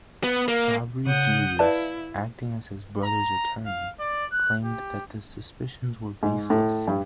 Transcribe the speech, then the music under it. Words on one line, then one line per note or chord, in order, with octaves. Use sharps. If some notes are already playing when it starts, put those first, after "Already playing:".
Sabri Jiryis, acting as his brothers attorney, claimed that the suspicions were baseless.
B3
A#3
C#3 F#5 D#6 G6
E4 B4 D5 E5 F5 A5
A#5
F5
D5
F#6
G4
G#2
A2
G2